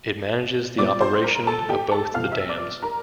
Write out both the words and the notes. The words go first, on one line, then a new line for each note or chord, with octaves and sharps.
It manages the operation of both the dams.
A#2 G3 C4 D5 D6
C5 C6
A#4 A#5
A4 A5
G4 G5
A4 A5
F2 C3 F3 F5 F6
E5 E6
D5 D6
A#4 A#5